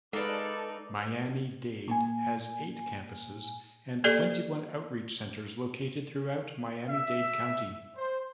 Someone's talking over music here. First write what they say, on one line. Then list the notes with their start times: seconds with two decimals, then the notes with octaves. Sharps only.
Miami Dade has eight campuses and twenty-one outreach centers located throughout Miami-Dade County.
0.13 G#3 A#3 D#4 A4 B4 D5
1.88 A#2 A#3 G#5
4.04 A#3 G4 A4 D5
6.89 E5
7.97 C5